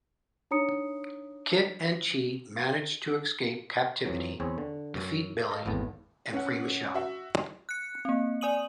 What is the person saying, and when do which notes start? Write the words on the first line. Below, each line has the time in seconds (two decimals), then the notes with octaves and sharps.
Kit and Chi manage to escape captivity, defeat Billy, and free Michelle.
0.51 D4 D#4 C#5 A#5 D#6 C#7
4.06 F2 E3 F#3
4.40 E2 C4 G#4 C#5
4.58 D3
4.94 F#2
5.51 A4 D#5 F5
5.66 G#1 E2 A2 B3 A5
6.33 C#4 F#5
6.94 F#4 E5
7.69 F#6 C#7
8.05 A#3 C4
8.41 D5 G#5 D#6 D#7 F#7